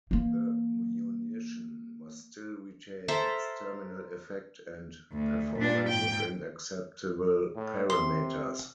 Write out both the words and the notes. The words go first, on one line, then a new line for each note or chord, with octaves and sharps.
The munition must still retain its terminal effect and performance within acceptable parameters.
E3 A#3
A4 A#4 C5 E5
D2
A#2 D4
G#2 G5
A2
C3 C6